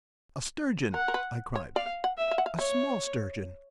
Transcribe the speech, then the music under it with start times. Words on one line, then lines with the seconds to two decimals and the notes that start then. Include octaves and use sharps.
"A sturgeon," I cried; "a small sturgeon."
0.93 A#4 F#5
1.08 A#4
1.14 B4
1.55 C#5
1.76 D5 F5
2.04 F#5
2.17 E5
2.31 F5
2.38 F#5
2.46 F5
2.59 C#5 E5